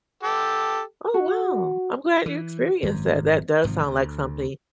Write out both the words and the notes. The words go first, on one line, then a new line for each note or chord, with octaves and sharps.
Oh, wow. I'm glad you experienced that. That does sound like something
G4 A4
F#4
E3
G#1 F#2
G#1 G#2 C3 F3
D2